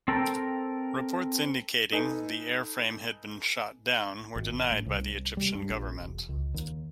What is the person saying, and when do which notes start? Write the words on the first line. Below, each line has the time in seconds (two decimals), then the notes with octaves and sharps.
Reports indicating the airframe had been shot down were denied by the Egyptian government.
0.08 C4 A4 A#4 G5
1.92 D#4 A4 B4 G#5
4.36 G#1
4.72 A2
4.86 C2
5.37 G3
5.55 G2
5.70 A#1
6.01 E1
6.29 C#2
6.54 D#2